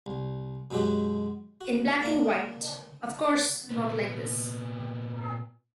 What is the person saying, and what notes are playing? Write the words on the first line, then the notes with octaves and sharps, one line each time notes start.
In black and white, of course — not like this.
C2
F#2 B2 F#3 G#3 F#4 G4
F#4
A#3 D4 A#4
A#2 B3 B4